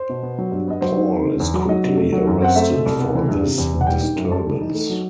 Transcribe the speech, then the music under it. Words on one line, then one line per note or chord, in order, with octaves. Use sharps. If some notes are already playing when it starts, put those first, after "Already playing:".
Paul is quickly arrested for this disturbance.
Already playing: C5
B2
B3
F#3
G2
B3 D#5
F#3 C5
D#3
C4
D#3
E2
F#3
F#3 D#5
C3
A3
F#3
F#2
C4 F#5
A3 E5
B2
C2
B3
E3
G2
C3
E2
E1
F#5
G3 G5
D#3
F#2
G3 A5
E3
D#4
A3
F#3